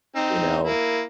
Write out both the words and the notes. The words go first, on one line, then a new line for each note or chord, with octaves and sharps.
you know,
C4 D#4
A#3 E4